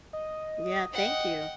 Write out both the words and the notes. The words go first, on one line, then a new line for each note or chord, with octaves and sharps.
Yeah, thank you,
D#5
F#5 G5